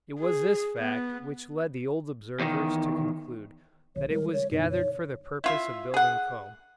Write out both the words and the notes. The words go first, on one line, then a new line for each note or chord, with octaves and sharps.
It was this fact which led the old observers to conclude that it was gathered for the purpose of building comb.
G#4
B3
E2 D#3
A#1 D3 C#5
D#3 G3 G#3 A#4
C#5
F#2 B2 D3 D#4
C#5
E4 F4 E5
G#4 F#5